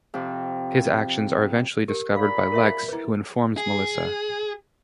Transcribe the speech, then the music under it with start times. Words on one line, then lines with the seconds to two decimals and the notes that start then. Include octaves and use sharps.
His actions are eventually discovered by Lex who informs Melissa.
0.14 F2 C3
1.88 G4 A#4
2.16 A#2 F5 B5
2.52 A#4 C#5 E5
2.88 E4 B4
3.57 G#4